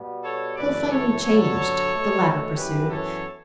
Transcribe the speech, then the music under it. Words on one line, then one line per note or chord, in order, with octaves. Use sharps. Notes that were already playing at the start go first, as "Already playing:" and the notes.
"He'll find you changed," the latter pursued.
Already playing: B2 G3 B3
A4 C#5
F#2 C#3 E3 A3 B4 D5
A4 C#5
G2 D3 F#3 B3 A4 C#5
B2 A3
F#2 E3 B3 G4 B4
A4 C#5